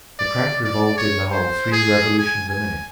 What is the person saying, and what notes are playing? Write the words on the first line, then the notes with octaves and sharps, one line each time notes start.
The crank revolved in the hole three revolutions a minute.
D5
D5
C#5
C5
G#4
G#5
G#5